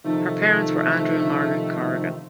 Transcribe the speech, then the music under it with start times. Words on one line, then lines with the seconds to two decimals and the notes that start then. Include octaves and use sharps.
Her parents were Andrew and Margaret Corrigan.
0.04 C3 D#3 F3 A3 D#4